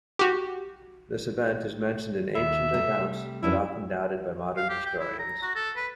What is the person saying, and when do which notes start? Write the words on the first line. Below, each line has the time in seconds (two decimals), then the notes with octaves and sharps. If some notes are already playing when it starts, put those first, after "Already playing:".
This event is mentioned in ancient accounts but often doubted by modern historians.
0.19 F#4 G4
2.35 D#2 E5
2.73 C3 G3 A3
3.43 F#2 C#4 D4 E4
4.57 F5
4.69 G4
4.86 G5
4.99 E4
5.19 A#5
5.42 F#4
5.55 A4
5.76 B4